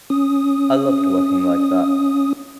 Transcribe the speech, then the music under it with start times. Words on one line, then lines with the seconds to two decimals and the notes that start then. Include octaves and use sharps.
I loved working like that.
0.10 C#4 D#6